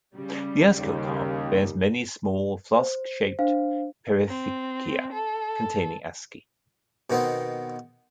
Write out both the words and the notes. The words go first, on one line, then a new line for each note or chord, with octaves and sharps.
The ascocarp bears many small, flask-shaped perithecia containing asci.
C#3 G3
D#2
C5
D4 C5 F5
C4
A4
B2 D#3 B3 C4 D#5